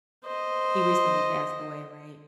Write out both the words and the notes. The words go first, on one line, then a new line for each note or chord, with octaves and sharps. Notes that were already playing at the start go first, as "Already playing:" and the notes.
he recently passed away, right,
C5 D#5